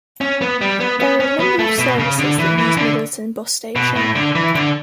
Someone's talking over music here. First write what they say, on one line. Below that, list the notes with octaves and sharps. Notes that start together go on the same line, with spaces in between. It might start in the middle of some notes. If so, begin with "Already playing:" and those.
There are a number of services that use Middleton bus station.
C#4
B3
G3
B3
B3
C#4
B3
A3
B2
C#3
D3
E3
E3
D3
B2
A2
D3
E3
D3